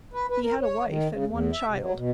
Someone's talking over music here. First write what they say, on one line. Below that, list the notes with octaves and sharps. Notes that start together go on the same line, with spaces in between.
He had a wife and one child.
B4
B4
A#4
C#5
D#3
C#3
E2
E5
C3
F#3
B2